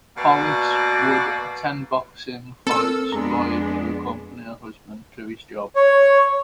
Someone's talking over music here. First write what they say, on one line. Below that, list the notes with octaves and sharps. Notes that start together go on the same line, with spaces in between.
Polis would attend boxing fights live to accompany her husband to his job.
B2 A#3 F#4 B4 D5
C4 A4 A#4 E6
F2 G#3 B3 D4 A#5
C#5